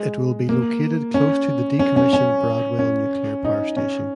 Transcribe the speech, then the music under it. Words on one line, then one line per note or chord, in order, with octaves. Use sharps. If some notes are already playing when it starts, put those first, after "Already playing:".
It will be located close to the decommissioned Bradwell nuclear power station.
Already playing: G#3
A#3
C#4
C#4
C#4
C#4
C#4
D#4
C#4